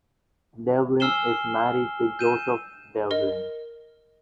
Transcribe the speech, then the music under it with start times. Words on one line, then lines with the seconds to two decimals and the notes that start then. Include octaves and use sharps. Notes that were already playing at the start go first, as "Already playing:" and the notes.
Devlin is married to Joseph Devlin.
1.00 G#5 E6 F6 C7 E7 G7
2.19 G6 D#7 E7
3.11 A#4 D#5